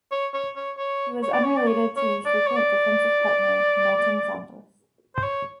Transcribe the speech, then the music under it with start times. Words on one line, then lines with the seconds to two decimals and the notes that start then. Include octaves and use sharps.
He was unrelated to his frequent defensive partner Nilton Santos.
0.12 C#5
0.34 C#5
0.56 C#5
0.78 C#5
1.23 C#5
1.33 D5
1.44 C#5
1.57 D5
1.68 C#5
1.97 C#5
2.26 D5
2.47 C#5
2.56 D5
5.16 C5
5.23 C#5